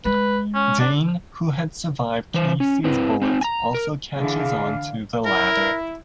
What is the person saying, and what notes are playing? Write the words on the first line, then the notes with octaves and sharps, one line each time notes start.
Dane, who had survived Casey's bullet, also catches on to the ladder.
G#3 B4
C#4
D4
E3 C5
C#4
C4 E4 B4
C4 D#4
G#5 A#5
A#4
D3 E3 D4 G#4 F5
E4 A#4